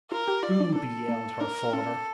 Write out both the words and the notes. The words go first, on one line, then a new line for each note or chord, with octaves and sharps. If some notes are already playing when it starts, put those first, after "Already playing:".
"Booby!" yelled her father.
F4 A#4
G4
F4 D5
D4
D4 A4
A#3
D4 A#4
C#4 A4